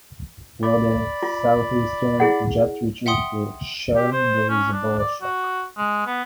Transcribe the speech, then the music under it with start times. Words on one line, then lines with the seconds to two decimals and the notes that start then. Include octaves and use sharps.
Where the southeastern jet reaches the shell there is a bow-shock.
0.63 D5 B5 D6
1.23 F4
2.20 E4 G#4 F#5
3.06 E5 F#5 G5 C6 D#6
3.96 G4
4.12 C5
4.49 C#4
4.72 D4
4.99 D5
5.22 F#4
5.77 G#3
6.06 B3